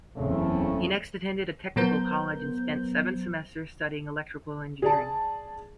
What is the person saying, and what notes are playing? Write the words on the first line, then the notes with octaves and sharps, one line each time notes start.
He next attended a technical college and spent seven semesters studying electrical engineering.
F#1 E2 C#3 A3 C4
A#2 F#3 B3 A#4 C5 G6
G#4 D5 A5